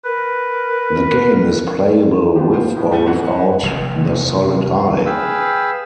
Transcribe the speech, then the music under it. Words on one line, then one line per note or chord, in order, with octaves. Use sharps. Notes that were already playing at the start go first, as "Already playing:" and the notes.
The game is playable with or without the Solid Eye.
A#4 B4
B3 F4 G4
C5
A2
G3 A3 B3
E2 E3 F#5
F1 D#2 A#2
G#4 B4 F5 G5 E6